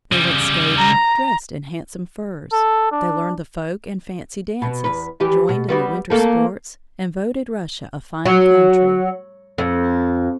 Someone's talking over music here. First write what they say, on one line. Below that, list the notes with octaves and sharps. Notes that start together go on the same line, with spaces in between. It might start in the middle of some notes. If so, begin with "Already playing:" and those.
They went skating, dressed in handsome furs; they learned the folk and fancy dances, joined in the winter sports, and voted Russia a fine country.
C#3 G3
A#5
A4
D4
B2
E2 B4
E2 E3 G4
B2
G3 B3 F#4
A3 A#3 A4
F#3
F2